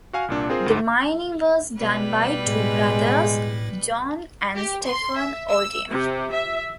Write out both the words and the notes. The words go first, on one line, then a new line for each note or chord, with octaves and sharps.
The mining was done by two brothers, John and Stephen O'Dea.
F#4 F5 G#5 F6
C2 A#2 D4
C4 F4 G#4 A#4 C5
D2 G#2
B2 G3 B4
A2 G#3
G4
C6
E5
E6
C3
E5